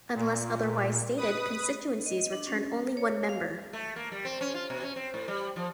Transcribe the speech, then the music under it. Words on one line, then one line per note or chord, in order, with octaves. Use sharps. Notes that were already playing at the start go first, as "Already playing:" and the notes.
Unless otherwise stated, constituencies returned only one member.
A#2
B4 D#6
D#5
D4
C#4
C#5
F5
A3
A#3
G3
C4
C#4
F4
B2
C#4
C4
A2
G3
F3